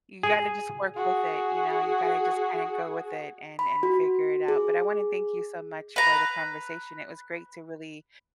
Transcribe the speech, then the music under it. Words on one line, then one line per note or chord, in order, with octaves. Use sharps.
you gotta just work with it, you know? You gotta just kinda go with it and and figure it out, but I wanna thank you so much for the conversation, it was great to really
G#4
F#4 G#4
B5
F#4
G#4
B4 A#5